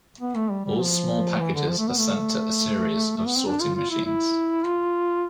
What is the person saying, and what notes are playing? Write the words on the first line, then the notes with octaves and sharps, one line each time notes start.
All small packages are sent to a series of sorting machines.
B3
A3
G3
G3
F3
E3
D3
F3
A3
B3
A3
A3
B3
C4
D4
F4
F4
E4
E4
F4